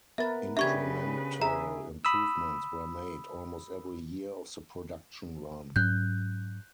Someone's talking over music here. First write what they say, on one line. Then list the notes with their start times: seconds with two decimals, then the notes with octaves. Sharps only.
Incremental improvements were made almost every year of the production run.
0.18 B3 A#4 B4 E5 A6
0.57 C#3 D4 G4 B4 E5 C#6 G#6
1.42 G#4 E5 A#5
2.05 B5 D#6 E6
5.76 G#2 F#3 C#4 F#6 G6